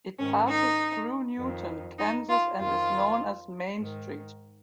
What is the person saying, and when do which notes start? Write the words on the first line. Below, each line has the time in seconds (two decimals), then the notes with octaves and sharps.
It passes through Newton, Kansas and is known as Main Street.
0.18 G#2 D#3 C#4
0.48 D#4
1.38 F2 D#3
1.98 D#4
2.28 F4
2.58 F2 D#3 F4
3.77 G#2
3.83 D#3